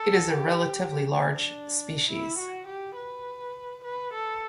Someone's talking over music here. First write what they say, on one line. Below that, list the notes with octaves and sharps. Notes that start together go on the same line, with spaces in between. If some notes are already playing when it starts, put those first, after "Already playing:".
It is a relatively large species.
Already playing: A4
G4
D4
E4
F#4
G4
B4
B4
A4